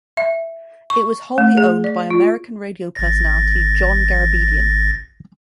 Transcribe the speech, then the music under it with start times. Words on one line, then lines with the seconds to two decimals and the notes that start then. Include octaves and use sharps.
It was wholly owned by American radio personality John Garabedian.
0.17 E5
0.90 C#6
1.38 A3
1.57 G#4
1.84 D5
2.10 F4
2.95 G#1 A6 A#6